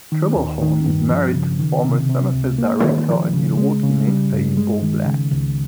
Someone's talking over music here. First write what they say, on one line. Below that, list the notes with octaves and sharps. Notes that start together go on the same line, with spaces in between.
Trebelhorn is married to former Summerfest director and Milwaukee mainstay Bo Black.
D#3
D#2
D#3
G2
F3
C#3
D#3
C3
C3
C#2
A#3
D#3
F3
C#3
G#3
C#3
G3
G2
G#3
D#3
C#3
C#2